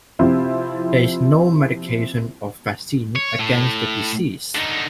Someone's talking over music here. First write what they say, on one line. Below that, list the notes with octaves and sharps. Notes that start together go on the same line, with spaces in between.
There is no medication or vaccine against the disease.
C3 F3 C4 E4 F4 C5
C#5
A2
D3 D#4